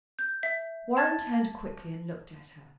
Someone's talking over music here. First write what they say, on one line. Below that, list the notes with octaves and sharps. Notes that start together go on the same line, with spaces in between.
Warren turned quickly and looked at her.
G6
E5
A5 G#6 A6